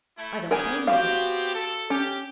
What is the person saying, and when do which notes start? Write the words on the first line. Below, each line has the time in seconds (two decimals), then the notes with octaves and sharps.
I don't blame you.
0.17 A3 E4
0.51 B3 G4 G#4 A#4 G#5
0.87 B3 C4 F#4 G4 F5
1.55 A4
1.90 C#4 G4